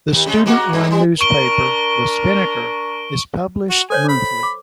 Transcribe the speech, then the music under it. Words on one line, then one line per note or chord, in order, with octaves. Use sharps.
The student-run newspaper "The Spinnaker" is published monthly.
D#2
C#3 G#3
G#3 A#3 F#4
G2
G3
D4 A#4 C#6 D7 G7
F#4
A4 C5 C#5 G#5
B5
D6